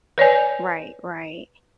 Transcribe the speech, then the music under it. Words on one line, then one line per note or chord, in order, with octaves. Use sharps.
Right, right,
B4 C#5 D5 G#5